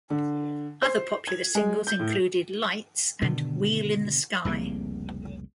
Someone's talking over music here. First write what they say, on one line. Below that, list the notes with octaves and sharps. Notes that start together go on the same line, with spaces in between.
Other popular singles included "Lights" and "Wheel in the Sky".
D3
C5
G#6
G#3
G6
A2
G2 B2 D3 D#3
F1 C2 C#3 A#3